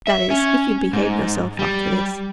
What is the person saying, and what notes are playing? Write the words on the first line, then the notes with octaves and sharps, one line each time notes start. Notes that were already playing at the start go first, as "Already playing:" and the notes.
"That is, if you behave yourselves after this."
E5
C#4
G#2
G3